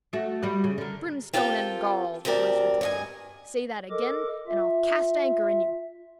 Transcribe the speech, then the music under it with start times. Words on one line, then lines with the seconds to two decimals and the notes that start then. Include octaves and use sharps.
"Brimstone and gall," the voice retorted, "say that again, and I'll cast anchor in you."
0.13 A3 F#4
0.43 G3 F#4 B4
0.64 C#3
0.78 D3 A#4
1.33 C4 F4 G4 A4 A#4 G5
2.25 D2 C4 G4 A#4 D5
2.81 G2 D#5 G#5
3.90 A4 A#4 D#5 D6
4.47 F4 E5